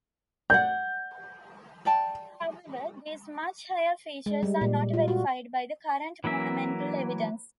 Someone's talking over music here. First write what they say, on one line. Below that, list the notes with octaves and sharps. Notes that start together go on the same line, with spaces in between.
However, these much higher figures are not verified by the current monumental evidence.
D5 F#5 G6
D5 G5 A5
G#3
G3
A#2
F4
F#4
E3 F#3 A#3 E5